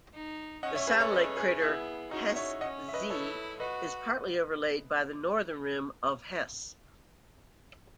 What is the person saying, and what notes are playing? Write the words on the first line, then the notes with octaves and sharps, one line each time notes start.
The satellite crater Hess Z is partly overlaid by the northern rim of Hess.
D#4
C#4 D#5 F#5
C#5 E5
G#4 B4
A4 C#5
C#4 B4 D#5
G#4 B4
B3 E4 G#4
C#4 D#4 F#4
C#5 E5
C#4 D#5 F#5
E5
B4 D#5
E4 A4 C#5
F#4 B4 D#5